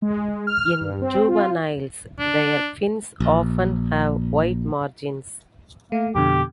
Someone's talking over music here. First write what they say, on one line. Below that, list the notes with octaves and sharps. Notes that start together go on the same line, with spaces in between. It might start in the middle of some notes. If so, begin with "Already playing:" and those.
In juveniles, their fins often have white margins.
G#3
F6
G2
C4
F4
D4
A#1
A3 A#3
F2 B2 D3 G4